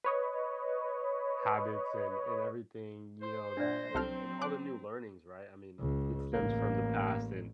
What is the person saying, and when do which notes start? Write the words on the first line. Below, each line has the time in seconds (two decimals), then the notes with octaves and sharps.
habits, and and everything, you know, that ev and all the new learnings, right, I mean, it stems from the past and
0.04 B4 C#5 D#5
3.22 C5
3.57 A#2 D4 D5 A#6
3.95 C2 F#3 C4 A4 F6
4.42 C6 D6 F#6
5.80 C#2
6.33 A1 A#3